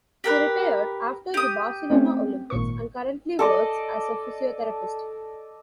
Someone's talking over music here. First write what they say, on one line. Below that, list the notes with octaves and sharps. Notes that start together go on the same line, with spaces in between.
She retired after the Barcelona Olympics and currently works as a physiotherapist.
G4 A#4 B4
G4 D#6
A3 C4 C#4
G#1 A#2 C#6
A4 D5 D#5